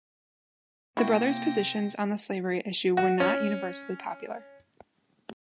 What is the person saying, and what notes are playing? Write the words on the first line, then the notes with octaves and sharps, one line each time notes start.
The brothers' positions on the slavery issue were not universally popular.
C3 A#3 E4 F#4 G5 A#6
F#4
C#4